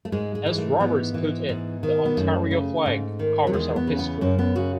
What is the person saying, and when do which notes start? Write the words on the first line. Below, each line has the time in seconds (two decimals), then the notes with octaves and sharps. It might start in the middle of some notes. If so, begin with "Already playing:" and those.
As Robarts put it, the Ontario flag covers our history.
0.05 A3
0.12 G#2 G#3
0.35 G#3
0.46 E3
0.58 A3
0.80 G#2 B3
1.14 E3
1.49 G#2
1.83 D#3
2.05 B3
2.17 F#2 A3
2.51 C#3
2.86 G#2
3.19 D#3
3.47 F#3
3.53 E2 G#3
3.76 B3
3.87 C#3
3.99 B3
4.21 F#2 C#4
4.39 B3
4.55 C#3 F#4